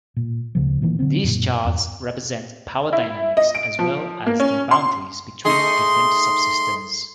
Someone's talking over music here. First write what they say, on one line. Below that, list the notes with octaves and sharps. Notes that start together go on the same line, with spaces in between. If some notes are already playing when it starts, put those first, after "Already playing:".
These charts represent power dynamics as well as the boundaries between different subsystems.
A#2
D2 C#3 F3
A#2 D#3 E3 A#3
D3 F#3 B3 C4
F#2 A#2
E2 G2
E4
D#5
D7
F3
A#3
C#4
C6
A3 D#4 G#4 C6